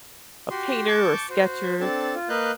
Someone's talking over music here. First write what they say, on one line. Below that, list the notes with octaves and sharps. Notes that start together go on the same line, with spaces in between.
a painter or sketcher,
F#4 G4 C6
A5 C#6 D6 G6
F#4 C5
C4 D4 A4 A5
F4
A#3 B4 D#5 F5 F#6 G6